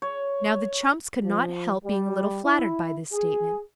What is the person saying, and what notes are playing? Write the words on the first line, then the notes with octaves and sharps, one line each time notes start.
Now, the chums could not help being a little flattered by this statement.
C#5
F3
G3
E4
G#4